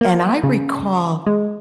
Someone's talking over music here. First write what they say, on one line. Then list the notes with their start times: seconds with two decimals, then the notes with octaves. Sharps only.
and I recall
0.01 A#3
0.43 C#3
1.26 G#3